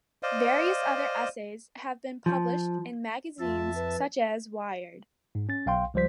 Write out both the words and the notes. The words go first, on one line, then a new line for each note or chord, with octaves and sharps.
Various other essays have been published in magazines such as "Wired".
C5 D5 D#5 F5
F3
F2 F4 E5 A5
B4
G#2
C#4 A6
B1 F5 G5 C6
C#2 F3 G3 C5 B6